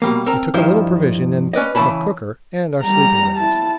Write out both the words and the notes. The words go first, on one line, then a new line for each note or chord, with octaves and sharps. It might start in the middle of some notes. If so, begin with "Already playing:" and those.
We took a little provision and a cooker and our sleeping-bags.
B2 G3 A#3
C4 A#4 A5 A#5
G2 D#3 F3 E4 C5 D#5
C#4 B4 D5 D#5
C#3 E3 C#4 A5 B5
G3 A#5
E4 A5